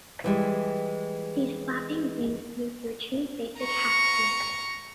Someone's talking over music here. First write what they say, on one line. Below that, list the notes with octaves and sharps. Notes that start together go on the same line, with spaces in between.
These flapping wings move through two basic half-strokes.
E3 G3 G#3
A#5 C#6